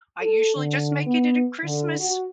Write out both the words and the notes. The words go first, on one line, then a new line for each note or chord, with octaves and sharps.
I usually just make it it at Christmas.
A4
D3
B3
D3
F#4